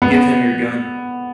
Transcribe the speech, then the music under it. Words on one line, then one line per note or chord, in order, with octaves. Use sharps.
Give him your gun.
B3